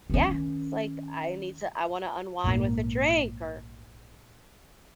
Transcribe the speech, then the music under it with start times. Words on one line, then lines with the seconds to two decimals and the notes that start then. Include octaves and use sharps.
yeah, it's like, "I need to I wanna unwind with a drink or,
0.10 D#3 C#4
2.44 A#1 G#2 D#3 A#3